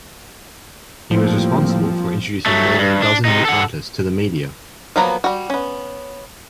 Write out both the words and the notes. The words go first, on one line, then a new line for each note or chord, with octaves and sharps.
He was responsible for introducing more than a dozen new artists to the media.
A2 F3 G3 A#3 C4
F#3 A3
G2
D4
C3 D#4
A4 F#5
F3 F#3 A#3 B3 A#5
G3 F#4
B3 C#4